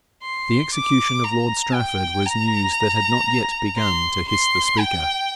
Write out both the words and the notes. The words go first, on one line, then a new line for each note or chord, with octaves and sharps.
The execution of lord Strafford was news that had not yet begun to 'hiss the speaker.'
C6
D6
A#5
G5
A#5
C6
C6
G5